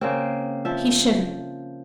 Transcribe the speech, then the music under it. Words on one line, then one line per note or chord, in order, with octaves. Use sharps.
He shivered.
C#3 A#3 C4
F3 E5